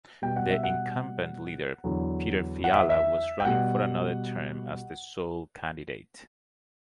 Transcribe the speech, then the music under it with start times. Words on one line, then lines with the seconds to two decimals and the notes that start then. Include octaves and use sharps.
The incumbent leader Petr Fiala was running for another term as the sole candidate.
0.22 B2 G3 G5
0.36 F#5
0.50 E5
0.63 F#5
1.84 E2 D3 F#3
2.64 F#5
2.74 E5
2.90 E5
3.40 G5
3.45 B2 G3 F#5